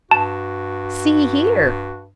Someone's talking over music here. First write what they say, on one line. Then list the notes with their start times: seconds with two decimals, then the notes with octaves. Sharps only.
See here.
0.11 G2 F#4 A5